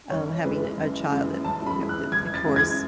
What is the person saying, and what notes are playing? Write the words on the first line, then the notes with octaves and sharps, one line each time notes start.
uh, having a child that, you know, that the course
F#1 C#5
F#2 E3 G#3 B4
F#1
F#2 E3 G#3
F#1 A5
B5
F#2 E3 G#3
F#6
F#1 G#6
A6
F#2 E3 G#3
G#6